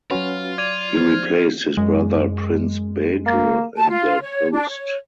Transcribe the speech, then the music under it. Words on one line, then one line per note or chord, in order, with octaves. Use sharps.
He replaced his brother Prince Badr in the post.
F#3 C#4 F4 F#4 B4 C#5
D5 G#6 D#7 F7
F3 C5 F6
F#2 G#3
A#3
A5
F4
C#5
D4
C#5